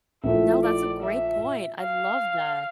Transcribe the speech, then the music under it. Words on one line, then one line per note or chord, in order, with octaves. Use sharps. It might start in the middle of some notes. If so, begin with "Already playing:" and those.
No, that's a great point, I love that.
A#1 A#2 A3 E4 E5
D5
E5
F5